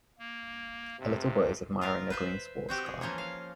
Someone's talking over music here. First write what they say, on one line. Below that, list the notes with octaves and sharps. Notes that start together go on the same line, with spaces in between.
A little boy is admiring a green sports car.
A#3
G2 C3
F4 A#4 F5
B4 C5 E5
C4 F#4 G4
G#4
E3 F3 A#3 C#4
F5